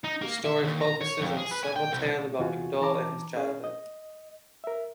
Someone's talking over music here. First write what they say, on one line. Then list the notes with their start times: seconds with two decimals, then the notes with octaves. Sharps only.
The story focuses on several tales about McDull and his childhood.
0.04 D#4
0.22 A#3
0.45 E5
0.64 D#2
0.81 A#5
1.01 C#5
1.21 F2
1.37 G#4
1.51 B4
1.64 G#5
1.76 G5
1.92 C2
2.39 E2 C3 F4 F#4 G#5
2.81 E3 A5 A#5 D6
3.37 C#4 G#4
3.64 D#5
4.64 A#4 E5